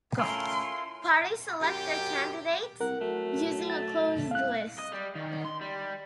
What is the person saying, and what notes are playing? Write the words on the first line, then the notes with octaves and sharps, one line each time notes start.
Parties select their candidates using a closed list.
A3 C#4 E4 F4 A#4 C6
F#2 G4
C2 A#4 F#5
F#3 A3
A6
C2 F5 F#6
D#5
G3
D#3
C6
G3